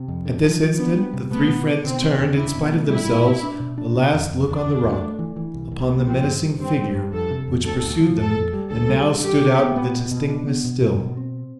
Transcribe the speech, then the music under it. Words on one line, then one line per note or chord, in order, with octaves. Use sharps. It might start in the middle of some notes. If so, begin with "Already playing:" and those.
At this instant the three friends turned, in spite of themselves, a last look on the rock, upon the menacing figure which pursued them and now stood out with a distinctness still.
Already playing: C3
F2
D3
F3
F3
B3 D4
G3
C3
A3 B3
B2
D4
B2 C4
C4
E2
D4 E4
B2
A3
G3 E4
A2
A2
D4
B2
D4
C3
F2
F2
E2 D4
E2
E2
A3
E3
E3
C2
C2
B3
F3 C4
G2
G2
G2 C4
G2
G2
F2 A4
C3
F2
D2 A4
D2
F3
F2 A4
F2
G3
D2 A4
G3
D3
G2 G4
D3
B3
B3
B2
B2
D4
B3
B2
B2
B2
C4